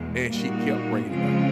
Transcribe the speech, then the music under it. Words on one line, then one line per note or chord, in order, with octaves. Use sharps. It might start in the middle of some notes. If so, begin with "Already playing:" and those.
and she kept bringing it up.
Already playing: E2 B2 G#3
A#2 G3 A#3 D#4 F#4
C#3 F3 G#3 C4 F4